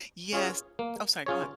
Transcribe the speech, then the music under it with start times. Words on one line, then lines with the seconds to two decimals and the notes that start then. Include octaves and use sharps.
Yes Oh, sorry. Go on.
0.33 C#4 F4 G#4 C#5
0.79 A#3
1.26 C#4 F4 G#4 C#5